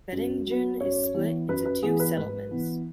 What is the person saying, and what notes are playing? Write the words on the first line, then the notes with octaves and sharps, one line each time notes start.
Bettingen is split into two settlements.
F#2
F#3 B3
F#2 C#5
E3 B3
F#2 B4
B4
E3 B3 G#4
B4
G#2 B4
E3 B3